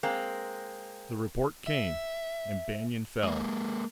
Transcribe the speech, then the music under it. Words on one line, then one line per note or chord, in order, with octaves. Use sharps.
The report came; and Banion fell.
G#3 A#3 C4
E5
G#3 A#3